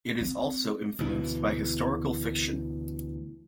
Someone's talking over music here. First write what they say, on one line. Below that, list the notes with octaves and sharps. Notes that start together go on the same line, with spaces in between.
It is also influenced by historical fiction.
C4
D2 B2 E3